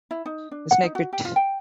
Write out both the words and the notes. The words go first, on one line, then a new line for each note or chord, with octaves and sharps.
"The Snake Pit".
E4
D#4
D4
F#5
D#4
F#4
G4
F4
G5